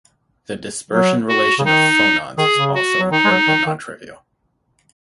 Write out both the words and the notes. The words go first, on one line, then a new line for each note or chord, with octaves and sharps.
The dispersion relation of phonons is also important and non-trivial.
F#3
F#4
C#3
D#3 D#4
D#3 G#4
C#3
F#4
F#3
D#3 D#4
G#3
F#3
D#3
D#3